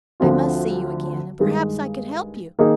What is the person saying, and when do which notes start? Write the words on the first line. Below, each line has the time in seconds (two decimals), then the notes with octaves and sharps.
I must see you again; and perhaps I could help you.
0.20 D2 D3 F3 C4 F4
1.39 G2 D#3 G#3
2.59 D#3 A#3 D#4 G#4